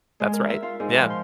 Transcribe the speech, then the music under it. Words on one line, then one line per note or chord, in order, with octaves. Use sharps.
That's right. Yeah.
G#3
A#4
E5
F4
G#2
F3
C6